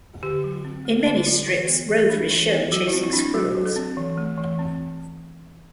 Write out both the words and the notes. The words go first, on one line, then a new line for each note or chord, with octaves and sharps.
In many strips Rover is shown chasing squirrels.
D3 G4
F#3
C4
A3
D3
F#3
E3
B3
E3
D4
E3
B3
F#3 F#4
E4
C4
E4
C4 D4
E4
F#3 F#4
F#3
A4
C4
E3
A3
E3
C4